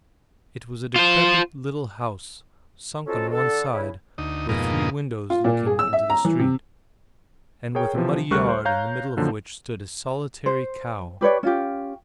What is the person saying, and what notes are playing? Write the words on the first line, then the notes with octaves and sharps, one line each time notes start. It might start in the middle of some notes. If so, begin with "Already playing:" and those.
It was a decrepit little house, sunk on one side, with three windows looking into the street, and with a muddy yard, in the middle of which stood a solitary cow.
F4 C5
C4 C#4 D#4 F4 F#4 A4
D3 A4
C#3 E4
D2 D#4
F2 G#2 B2 A#3 D#4
F4
A#2
G#4
E6
E5
A#5
E3
C3
G#4 A#4 C#5 G5
C3 E3 F3
D2 G3 A#4 C#6 F6 F#6
C5
C#5 F5 A#5 G6
F#2 A#2 D3 D#3 F3
C5
G4 B4 C#5 D5
C#4 F4 G4